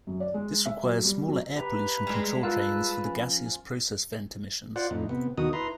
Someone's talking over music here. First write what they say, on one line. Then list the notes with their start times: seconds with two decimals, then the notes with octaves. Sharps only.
This requires smaller air pollution control trains for the gaseous process vent emissions.
0.07 F#2
0.20 D5
0.34 G#3
0.66 E5
0.83 F#3
1.05 G3
1.28 F#3
1.56 G4 B4 E5 A#5
2.07 G3 G#3
2.43 F4 A#4 B4 A5 E6 F#6
3.04 F3 C#4
4.76 F4 C5 D5 F#5
4.91 F2 A2 D#4
5.09 C3 B3
5.38 D#2 B2 D#3 D#4 F#4 D#6
5.53 E4 B4 A#5 C6